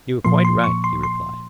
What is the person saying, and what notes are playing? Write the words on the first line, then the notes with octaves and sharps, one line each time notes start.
You are quite right, he replied.
A#2 F3 A#3 C6
C6
C#6
C6
C6